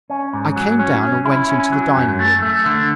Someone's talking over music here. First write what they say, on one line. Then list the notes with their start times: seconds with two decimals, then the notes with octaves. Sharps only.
I came down and went into the dining room.
0.10 C#4
0.33 G#2
0.56 F#3
0.79 C#4
1.03 C#4
1.25 E4
1.49 C#4
1.72 F#3
1.96 F#2
2.19 A3
2.42 A3
2.66 D3